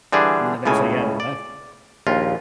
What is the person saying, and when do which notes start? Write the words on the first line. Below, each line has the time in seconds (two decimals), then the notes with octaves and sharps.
and then eventually, yeah, they left.
0.12 D3 E3 G3 D4 G#4
0.65 C#2 A2 C#3 G#5
1.20 D5
2.07 A#1 D#2 F4